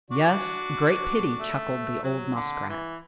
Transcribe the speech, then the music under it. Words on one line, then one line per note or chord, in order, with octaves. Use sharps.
"Yes, great pity," chuckled the old Muskrat.
D4 F#4
A3
F#3
D3
E3